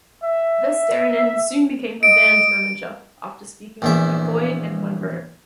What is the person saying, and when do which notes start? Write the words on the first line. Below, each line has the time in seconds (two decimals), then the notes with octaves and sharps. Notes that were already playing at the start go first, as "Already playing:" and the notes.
Vesterinen soon became the band's manager after speaking with McCoy and Monroe.
0.23 E5
2.03 D#5 D7
3.82 A#1 E2 E5